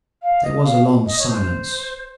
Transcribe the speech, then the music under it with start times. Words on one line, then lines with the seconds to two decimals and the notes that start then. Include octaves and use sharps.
There was a long silence.
0.22 F5
0.43 D#5
0.63 F5
1.05 D#5
1.18 C#5
1.26 C5